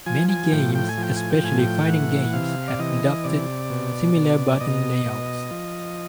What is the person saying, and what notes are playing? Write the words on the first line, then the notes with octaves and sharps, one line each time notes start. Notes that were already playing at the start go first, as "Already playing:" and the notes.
Many games, especially fighting games, have adopted similar button layouts.
F3 G#5
G#5
A2 G5
G5
G#5
F3 G5
G#5
G5
A2 G#5
G5
E3 F#5
C3 F5
D5
E3 D#5
C3 D5
B2
B2
B2 D#5
B2
F3